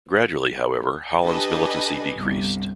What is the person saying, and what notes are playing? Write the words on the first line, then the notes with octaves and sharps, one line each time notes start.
Gradually, however, Holland's militancy decreased.
D4 G4 A4 B4 D#5 G#5
G1 C2